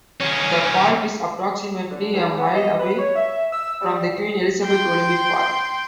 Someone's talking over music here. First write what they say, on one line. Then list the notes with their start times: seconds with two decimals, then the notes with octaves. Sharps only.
The park is approximately a mile away from the Queen Elizabeth Olympic Park.
0.20 D#3 C#4
1.90 D3
2.14 E2
2.37 B3
2.54 D#5
2.79 B4
2.98 C#5
3.16 E5
3.53 E6
3.81 G3
4.64 G5 C6